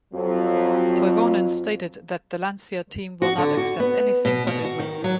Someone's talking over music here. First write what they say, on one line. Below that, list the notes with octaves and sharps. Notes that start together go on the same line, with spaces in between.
Toivonen stated that the Lancia team will not accept anything but a win.
F2 F#3
F#4
D3
F#4
B3
B2
B2
F#4
D#3
F#3